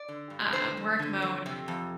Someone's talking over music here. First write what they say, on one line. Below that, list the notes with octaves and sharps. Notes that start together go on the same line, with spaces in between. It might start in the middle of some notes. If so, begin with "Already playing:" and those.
um, work mode,
Already playing: D5
D3
G2
D3 C5
F2
D3
F2
C3
F2